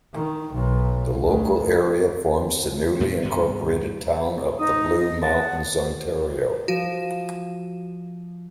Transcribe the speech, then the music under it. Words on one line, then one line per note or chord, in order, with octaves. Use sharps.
The local area forms the newly incorporated town of The Blue Mountains, Ontario.
D#3
B1
D2
E2 A#2 G3 G#3
C2 G2 D#3 B3
D#4 D#6
D#5
F#5 A5
F3 F#4 D#7